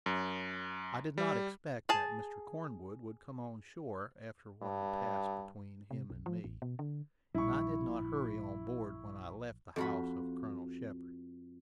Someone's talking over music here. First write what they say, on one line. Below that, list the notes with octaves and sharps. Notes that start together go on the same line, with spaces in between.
I did not expect that Mr. Cornwood would come on shore after what had passed between him and me, and I did not hurry on board when I left the house of Colonel Shepard.
F#2
G3
G#4 A5
G2
C3
B1
F3
A1
B2
D3
A#1 G3 E4 C#6
F2 F#4 B5